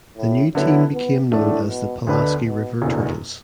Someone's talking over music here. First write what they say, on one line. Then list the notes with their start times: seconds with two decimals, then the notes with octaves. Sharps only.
The new team became known as the Pulaski River Turtles.
0.18 A2
0.55 D3 F#3 B3 E4
0.93 B3
1.31 A2 D3 E3 A3 D4 A4
1.69 B2
2.06 D2 B2 D3 B3 D4 B4
2.44 B2
2.82 F#1 E2 B2 D3